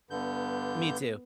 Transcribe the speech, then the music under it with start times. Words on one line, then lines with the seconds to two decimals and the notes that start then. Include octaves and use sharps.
Me too.
0.10 G2 D3 B3 G6